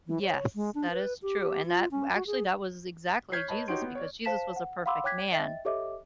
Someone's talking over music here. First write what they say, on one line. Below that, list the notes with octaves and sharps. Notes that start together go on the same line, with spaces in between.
Yes, that is true, and that w actually that was exactly Jesus because Jesus was a perfect man,
E3
C#5
G#3
D4
B4
G4
F4
C#4
F#4
G#4
C#5 F6 G6 G#6 B6 C7
B4 C#5 D#5 A5 B5
D#4 F#4 G4 C#5 C6 D7
B3
C#5 D5
C5 F5 A5 B6 E7
F#5
F5 F#5 B5 C6 D6 E6
C#5 G5 D6 F#6 G#6 B6
D#5 E5 G5 A6
G4 A4 C#5 D#5 E5 D6